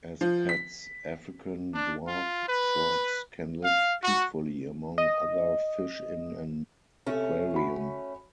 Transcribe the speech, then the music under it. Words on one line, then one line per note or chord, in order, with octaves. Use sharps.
As pets, African dwarf frogs can live peacefully among other fish in an aquarium.
F3
B6
D4
F4
B4
F5
F#4
D#5
C3 A3 C#4 A4
F#4 B5